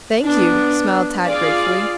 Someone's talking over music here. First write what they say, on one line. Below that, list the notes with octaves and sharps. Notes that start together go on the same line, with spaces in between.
"Thank you," smiled Tad gratefully.
B3 D4
F4 G#4 D5 F5